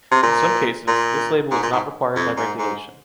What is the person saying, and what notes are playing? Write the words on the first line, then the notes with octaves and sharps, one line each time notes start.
In some cases,this label is not required by regulation.
C3
A#2
A#2
G#2
A#2
G#2
F2
G#2
G#2